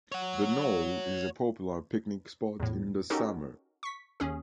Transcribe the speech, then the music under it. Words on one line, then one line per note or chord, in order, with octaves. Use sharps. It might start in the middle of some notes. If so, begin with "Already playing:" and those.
The knoll is a popular picnic spot in the summer.
C#5 F#5
E2 A2
C#4 D#4 F#4 G4 A4 A#4
C#6 B6
D#2 C#4 G#4